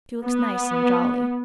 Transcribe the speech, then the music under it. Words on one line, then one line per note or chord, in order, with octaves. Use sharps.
"She looks nice and jolly."
B3